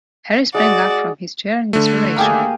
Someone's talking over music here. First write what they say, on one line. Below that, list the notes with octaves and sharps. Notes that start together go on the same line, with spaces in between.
Harry sprang up from his chair in desperation.
G#3 F#4 D5
D3 A3
A#3 G4 G#4